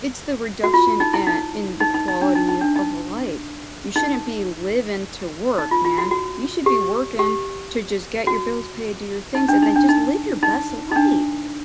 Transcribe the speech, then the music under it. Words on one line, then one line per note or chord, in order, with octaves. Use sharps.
It's the reduction, eh, in the quality of life. You shouldn't be living to work, man. You should be working to just get your bills paid, do your things, and then just live your best life,
F#4
F4
D#4
E4
D#4
D#4
D#4
D#4
D4
D#4
D#4
D4
D#4
D#4
D#4
F4
F4
F#4
F#4
G4
G4
F#4
D#4
D4
D#4
D4
D#4
D#4
D#4
D4